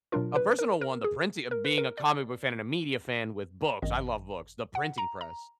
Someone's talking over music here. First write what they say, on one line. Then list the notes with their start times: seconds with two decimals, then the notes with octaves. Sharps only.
a personal one, the printing of being a comic book fan and a media fan with books. I love books. The printing press,
0.12 B2 F#3 D4 F4 A#4
0.36 B4
0.59 A#4
0.81 A#4
1.04 G#4
1.51 A#4
1.65 B4
1.78 A#4
1.97 D5
3.82 G#1 F#2 D#3 D#5
4.75 F#5
4.98 A#5
5.21 A#5